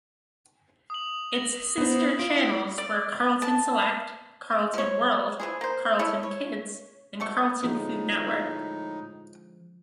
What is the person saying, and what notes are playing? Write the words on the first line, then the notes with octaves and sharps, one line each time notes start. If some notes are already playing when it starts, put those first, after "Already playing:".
Its sister channels were Carlton Select, Carlton World, Carlton Kids, and Carlton Food Network.
D#6 F#7
A#6 F#7
B3 E4 C5
E4 F4 B5 D7
D5
A5
F3 C#5
E3 F3 G#4
A#3 C5
A3 E4 C#5
C#5
B2 A3 C#6
A2 D3 F3 G#3 D#4